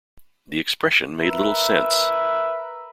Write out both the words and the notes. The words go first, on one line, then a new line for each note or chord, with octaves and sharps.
The expression made little sense.
A#4 B4 E5